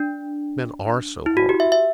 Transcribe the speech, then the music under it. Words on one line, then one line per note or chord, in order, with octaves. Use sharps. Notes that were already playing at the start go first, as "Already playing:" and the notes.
Men are so hard!
Already playing: D4
E4
F#4
G4
E5
E5